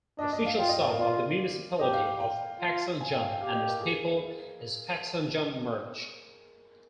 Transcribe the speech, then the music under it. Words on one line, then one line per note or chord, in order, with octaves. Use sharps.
The official song of the Municipality of Pagsanjan and its people is "Pagsanjan March".
D4 D#5
D#5
F5
F4 G5
D#5
D5
A#4
F4 D5
G4 D#5
F5
G5
G5
F4
G#5
G5
F5
G5
G4 F5
D#5
A#4
G#4